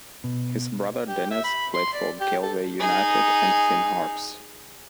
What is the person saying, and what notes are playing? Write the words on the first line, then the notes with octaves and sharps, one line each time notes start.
His brother Denis played for Galway United and Finn Harps.
B2
G4
E5
B5
C6
D5
G4
A4
D#4 G#4